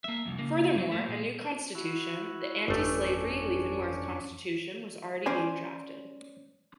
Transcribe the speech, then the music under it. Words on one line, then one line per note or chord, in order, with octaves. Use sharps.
Furthermore, a new constitution, the anti-slavery Leavenworth Constitution, was already being drafted.
A#3 E5
C2 F2
C#3 A#3
G2 F#3
A3 A#3
A#2 G#3
E4 F#4
G1 F2 A3 C#4 D4
C#4 C5 D5 G#5